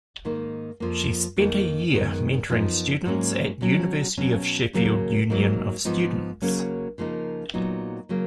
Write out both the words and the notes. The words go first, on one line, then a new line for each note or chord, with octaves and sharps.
She spent a year mentoring students at University of Sheffield Union of Students.
G#2 D#3 A#3 D#4
F2 F3 A#3
F2 D#3 A#3 D#4
F#2 D#3 G#3 B3
F#2 F3 B3 D#4
G#2 F#3 A#3 C#4
B2 F#3 C#4
B2 F#3 C#4
D#2 C#3 F#3 A#3
G#2 F#3 A#3 D#4
G#2 F3 B3 D#4
C#3 F#3 A#3 C#4
C#3 F3 A#3 D#4
A#2 F#3 B3 D#4
C#3 F#3 A#3